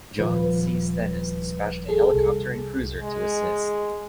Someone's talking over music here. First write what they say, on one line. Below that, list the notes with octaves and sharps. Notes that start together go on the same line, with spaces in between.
"John C. Stennis" dispatched a helicopter and cruiser to assist.
D#1 F3 B4
G#4 A4
C2
G#3